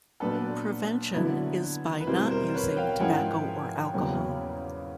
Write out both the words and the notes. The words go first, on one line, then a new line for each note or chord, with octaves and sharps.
Prevention is by not using tobacco or alcohol.
A#2 F#3 B3 D4 A4 B4
D3 F#3 B3 E4
B4
B2 G3 C4 E4 A#4 C5
A#4 C5
B4 C#5
F5 G5
G#2 F3 G#3 C#4 E4 F#5 G#5
E2 C#3 F#3 A#3 C#4